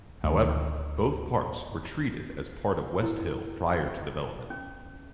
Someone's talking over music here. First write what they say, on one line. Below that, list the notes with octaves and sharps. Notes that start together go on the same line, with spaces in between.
However, both parts were treated as part of West Hill prior to development.
D2 D#3
E4
C#4